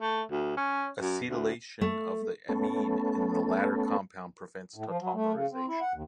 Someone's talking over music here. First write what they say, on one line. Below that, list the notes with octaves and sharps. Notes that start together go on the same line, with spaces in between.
Acetylation of the amine in the latter compound prevents tautomerization.
A3
D2
C#4
F#2
D2
A3
A3 B3 C#4 A4
A2
F3
F#3
A3
C#3
C4
E4
F#5
D#2